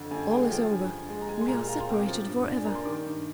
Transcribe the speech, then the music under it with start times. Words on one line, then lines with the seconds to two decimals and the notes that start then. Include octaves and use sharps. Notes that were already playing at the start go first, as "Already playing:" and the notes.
All is over; we are separated forever!
Already playing: F2 D3
0.11 F2 G#5
0.30 G#3 G5
0.50 F3 G5
0.69 G2 G#5
0.89 G2
1.09 G#3
1.21 A#5
1.29 G#3 G#5
1.41 C6
1.48 A#2 A#5
1.68 F4 A#5
1.81 C6
1.88 C4
1.94 D6
2.07 F3
2.26 G2
2.46 D4
2.55 G#5
2.65 A#3 A#5
2.75 C6
2.85 D#3 D6
3.05 G2